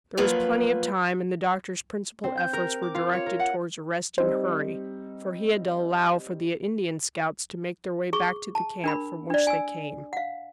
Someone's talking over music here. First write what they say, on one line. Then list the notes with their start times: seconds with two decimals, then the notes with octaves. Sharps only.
There was plenty of time, and the doctor's principal efforts were directed towards arresting hurry, for he had to allow for the Indian scouts to make their way back to the camp from which they came.
0.17 F3 F#3 A#3 F4 B4
2.24 C4
2.37 G6
2.53 A#4
2.82 D6
2.95 F4
3.13 C#5
3.26 A#4
3.39 F#5
4.18 G3 C4 D#4 C5
8.13 G#4 C#6
8.55 A5
8.84 D4 A#4 B5
9.30 D4 D5
9.47 G#5 E6
10.13 F5 F#5